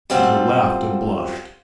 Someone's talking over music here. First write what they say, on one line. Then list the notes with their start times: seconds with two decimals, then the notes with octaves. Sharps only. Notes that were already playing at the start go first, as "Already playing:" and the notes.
Tito laughed and blushed.
0.10 F#2 G3 C4 F4 A4 F#5